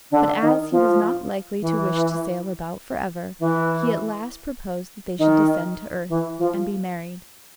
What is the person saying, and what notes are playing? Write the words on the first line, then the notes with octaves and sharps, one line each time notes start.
But as he was not likely to wish to sail about for ever, he at last proposed that they should descend to earth, and be married.
D3
D#3
F3
E3
E3
D#3
E3
F3